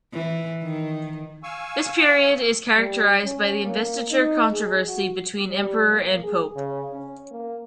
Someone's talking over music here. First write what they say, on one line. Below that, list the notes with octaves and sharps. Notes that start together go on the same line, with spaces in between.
This period is characterized by the Investiture Controversy between Emperor and Pope.
E3
D#3
F5 G#5 C#6 E6
G3
C#4
A#3
D#4
G#4
F#4
G3
A#3
G#4
C#3
C#4
A#3